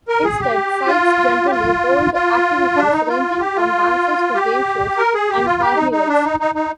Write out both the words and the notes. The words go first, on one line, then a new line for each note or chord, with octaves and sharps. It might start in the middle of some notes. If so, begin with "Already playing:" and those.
Instead, sites generally hold activities ranging from dances to game shows and carnivals.
A#4
G#4
G4
F4
G4
F4
F4
D4
D#4
F4
G4
F4
G4
A#4
G#4
G4
F4
G4
D#4
D#4
D4
D#4
D#4
D#4